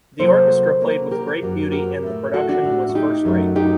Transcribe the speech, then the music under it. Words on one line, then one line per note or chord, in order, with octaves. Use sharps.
The orchestra played with "great beauty" and the production was first rate.
C3 F#3 A#3 A4 C5
C3 F#3 A#3
G4 A#4
F#2 F#3 A#3
G4 A#4
A2 A3
F#4 A4
D4 F#4
A2 A3
F#4
D#4 G4
F#2 F#3 A3
D#4 G4